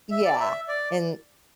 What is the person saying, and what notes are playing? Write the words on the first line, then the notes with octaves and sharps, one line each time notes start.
Yeah, and,
E5
D5
E5
D5